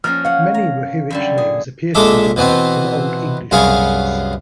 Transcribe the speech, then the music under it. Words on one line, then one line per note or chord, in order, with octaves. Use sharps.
Many Rohirric names appear to be derived from Old English words.
F3 A#3 C#4 F6
C#5 F5 F#5
A#5
F#2 D3 G3
G#4
A#1 G#3 A4 E5 D6
B2 E3 B3 C4
C2 F#2 B3 G#4 F5 C#6